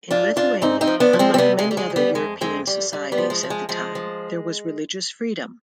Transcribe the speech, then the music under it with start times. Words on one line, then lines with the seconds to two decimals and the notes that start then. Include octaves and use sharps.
In Lithuania, unlike many other European societies at the time, there was religious freedom.
0.11 G#2 D4 F4
0.36 G#2 D4 F4
0.62 G#2 C4 D#4
0.81 C4 D#4
0.87 F3
1.00 B3 D4
1.13 F3
1.19 G#3 C4
1.34 C4
1.38 C3 G3 B3
1.59 G#3
1.64 D2
1.71 G3
1.77 G#3
1.90 D2
1.96 G3 B3
2.15 F2 G#3
2.41 F2 G#3 C4
2.67 F2 G3
2.92 G#2 G3
3.12 G3 B3
3.18 F3
3.30 G#3
3.43 F3
3.50 G#3
3.69 F3 G#3
3.95 F3